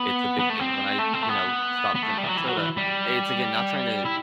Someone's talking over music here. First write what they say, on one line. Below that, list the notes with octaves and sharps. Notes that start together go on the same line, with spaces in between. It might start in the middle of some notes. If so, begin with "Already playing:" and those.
it's a big thing. When I, you know, stop drinking soda, it's, again, not trying to
Already playing: B3
B3
A3
C4
A3
C4
A3
B3
B3
A3
G3
E3
F#3
E3
F#3
E3
G3
E4